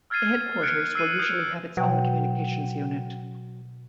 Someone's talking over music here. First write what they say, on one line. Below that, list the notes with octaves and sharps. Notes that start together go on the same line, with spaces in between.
The headquarters will usually have its own communications unit.
E6 F6 G#6 A6 C7 D#7
F#6 G#6 C#7 D7
E6 C7 D#7
D#6 G6 C7
B2 F#3 F#5 G5